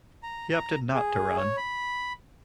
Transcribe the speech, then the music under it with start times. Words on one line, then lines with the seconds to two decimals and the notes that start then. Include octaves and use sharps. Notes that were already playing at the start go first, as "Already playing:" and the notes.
He opted not to run.
0.23 A#5
0.54 A#5
0.94 G#4
1.37 C#5
1.57 B5